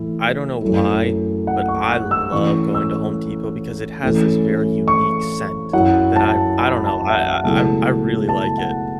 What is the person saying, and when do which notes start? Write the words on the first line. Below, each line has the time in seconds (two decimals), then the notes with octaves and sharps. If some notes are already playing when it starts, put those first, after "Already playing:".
I don't know why, but I love going to Home Depot because it has this very unique scent that I've I don't know, I I I I really like it.
Already playing: A2 E3 E4
0.61 F#2 F#3 A3 E4
1.47 F#5
1.68 C#6
1.90 F#6
2.11 E6
2.32 A2 E3 C#4 E4 C#6
2.75 E6
4.03 A2 E3 A3 C#4
4.88 C#6
5.73 F#2 F#3 C#4 E4 F#5
6.16 A5
6.58 B5
6.86 A5
7.10 E5
7.15 F#5
7.44 C#2 B2 F#3 A3 E4 A5
8.29 A5
8.58 F#5